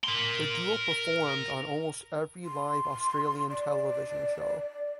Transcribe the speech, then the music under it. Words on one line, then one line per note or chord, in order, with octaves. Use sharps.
The duo performed on almost every live Australian television show.
A#4 C6
C6
D5